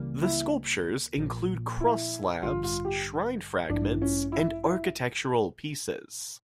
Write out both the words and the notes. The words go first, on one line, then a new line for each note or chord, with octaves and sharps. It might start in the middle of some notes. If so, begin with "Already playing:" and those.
The sculptures include cross-slabs, shrine fragments and architectural pieces.
Already playing: C#2 C#3 E3 G3 A#3
E4
A#1 A#2 F3 A#3
E4
A1 G2 D3 G3 F4
F4
G4
A1 G2 F3 A3 D4 E4
C#4
E4
E4